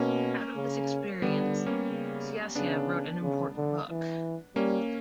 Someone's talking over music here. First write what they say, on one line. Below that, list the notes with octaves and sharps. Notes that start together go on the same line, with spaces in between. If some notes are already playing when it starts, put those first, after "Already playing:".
Out of this experience, Sciascia wrote an important book.
Already playing: B2 A#3 C#4
C#3
D3 G3 B3
A#3 C#4
C#3
C#3 B3 D4
C#3
D3
E3
G3 A#3 C#4